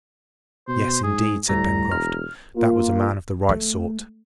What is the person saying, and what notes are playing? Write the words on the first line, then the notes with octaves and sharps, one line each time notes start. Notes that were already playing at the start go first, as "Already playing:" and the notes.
"Yes, indeed!" said Pencroft, "that was a man of the right sort."
B2 C5
G#2 G#4
D2 A2 G3 A#5
E1 F6
A#3 F4
A3